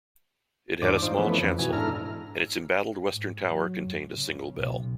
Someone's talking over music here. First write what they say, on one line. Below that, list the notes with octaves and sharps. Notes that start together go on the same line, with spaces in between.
It had a small chancel and its embattled western tower contained a single bell.
E2 G#2 D4 C5 D5 D6
D#4 F4 C5
E3 F3 A3 B3 C#4 B4
F2
B2 E3 F#4 G#5
G#2 D4 E4 A4 A#5 F6
G#2
F#3
F#2
C#3
B1